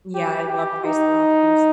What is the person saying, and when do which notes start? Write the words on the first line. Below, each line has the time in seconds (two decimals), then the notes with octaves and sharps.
Yeah, I love iced coffees.
0.15 G4
0.50 G4
0.85 D#4